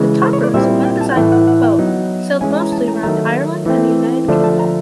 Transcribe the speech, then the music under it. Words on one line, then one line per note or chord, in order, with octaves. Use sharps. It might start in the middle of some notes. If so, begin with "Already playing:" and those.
The Topper is a one-design boat sailed mostly around Ireland and the United Kingdom.
Already playing: C#3 E3 G#3
C5
C#5
D5
A#2 G3 C4 E4 E5
G5
A5
F#5
A2 E3 A3 G5
F#5
F#5
G5
F#3 B3 D#4
E3 G#3 C#4 E4 G#5
A#5
A5
A#5
D#3 F#3 A3 A#5
E3 A3 C4
D3 F3 A3 D4
A5
A#5